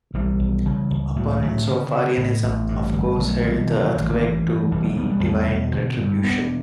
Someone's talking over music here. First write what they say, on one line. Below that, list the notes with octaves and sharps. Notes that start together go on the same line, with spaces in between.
Opponents of Arianism of course held the earthquake to be divine retribution.
B1 E3 G3
B1
C#3
C#2
A2 F#3
E3
A2 D3 F#3
C#3
C#3
A2
A1
G2
G1
B1 F#3 A3
B2 E3 G3
D3 E3
D3 F#3
A1 E3
D3
G2 E3
G2
E1 E3 G3
F#3 A3
D2 G3 B3
G3 B3
E2
B2
D3
G2
E1 B3 D4